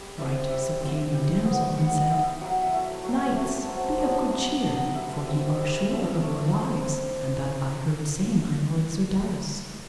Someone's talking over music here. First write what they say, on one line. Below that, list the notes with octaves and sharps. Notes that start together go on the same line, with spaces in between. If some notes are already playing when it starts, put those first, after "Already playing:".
Right so came in a damosel and said: Knights, be of good cheer, for ye are sure of your lives, and that I heard say my lord, Sir Darras.
Already playing: G3
C4 E4 D5
G3 E5
C4 E4
G3 G5
B3 E4
G3 F#5
B3 E4 G5
F#3 F#5
E5
A3 E4
E5
F#3 F#4
G4
A3 E4
A4
F#3 C5
B3 D4
F#3
B3 D4
G3 E5
C4 E4
G3
C4 E4
A3
D4